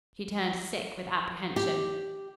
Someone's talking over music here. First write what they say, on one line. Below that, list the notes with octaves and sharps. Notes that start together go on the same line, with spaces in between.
She turned sick with apprehension.
G4